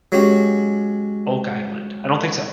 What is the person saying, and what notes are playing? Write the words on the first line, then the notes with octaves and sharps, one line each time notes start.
Oak Island, I don't think so.
F#3 G#3 C#4 F#4 G4